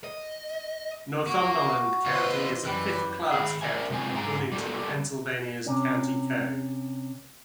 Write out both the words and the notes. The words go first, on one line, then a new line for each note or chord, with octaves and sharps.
Northumberland County is a fifth class county according to the Pennsylvania's County Code.
D#5
A#3 F#4
E3 B3 F4 B4 C5 D#5
F#2 E3 G3 B4
D#3 G#4
A#4 D5 E5 G#5
C3 G#3 C4 F4 G#5
G#2 E4 G#4 A#5
G3 A#3 G4 A4
C3 C#4